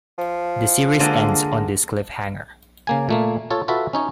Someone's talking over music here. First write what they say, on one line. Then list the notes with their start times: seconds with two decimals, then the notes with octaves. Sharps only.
The series ends on this cliffhanger.
0.18 F3
0.99 D3 G#3 A#3
2.87 C#3 A#3 G#5
3.09 A#2 A3 A#3
3.51 F4 A4 C#5
3.68 F4 F#4 A4 B4 E5
3.93 C#4 D#4 C#5